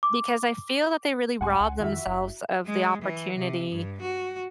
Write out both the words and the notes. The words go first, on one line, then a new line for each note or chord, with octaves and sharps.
because I feel that they really rob themselves of the opportunity
D6
C2 G#2 G#3 F#5 G#5 C6
C#2
F2 D#3 E4 F#4 E5
F#1
G#3
E3
C3
G2
F#4